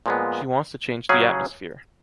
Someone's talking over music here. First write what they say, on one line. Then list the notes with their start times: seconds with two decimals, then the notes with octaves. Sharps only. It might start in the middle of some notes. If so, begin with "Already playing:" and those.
She wants to change the atmosphere.
0.06 A#2 F3 G#3 B3
1.09 C#3 F#3 C#4 G#4